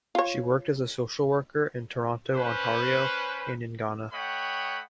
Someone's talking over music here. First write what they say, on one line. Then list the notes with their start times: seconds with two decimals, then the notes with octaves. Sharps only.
She worked as a social worker in Toronto, Ontario and in Ghana.
0.15 F4 C#5
2.34 C#4 B4 C5
4.12 A3 C#5 D#5 F#5 G5 B5